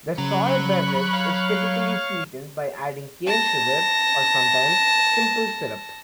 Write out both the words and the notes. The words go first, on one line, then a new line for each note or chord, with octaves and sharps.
The soy beverage is typically sweetened by adding cane sugar or, sometimes, simple syrup.
C#3 F#3 A#5 B5 C#6 F#6
C#5 F5
A5 A#6